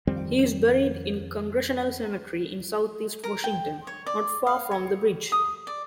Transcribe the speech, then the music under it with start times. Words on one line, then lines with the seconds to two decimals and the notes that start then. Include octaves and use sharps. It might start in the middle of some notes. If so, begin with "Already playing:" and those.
He is buried in Congressional Cemetery in Southeast Washington, not far from the bridge.
0.07 F2 D#3 G3 C4
3.24 A#4
3.44 G5
3.87 C#5
4.06 D5
4.47 F5
4.71 C#5
5.32 D#6
5.67 D5